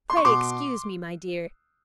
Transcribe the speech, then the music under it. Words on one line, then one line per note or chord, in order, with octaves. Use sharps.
Pray excuse me, my dear.
C6
C#6
B2 C6 D6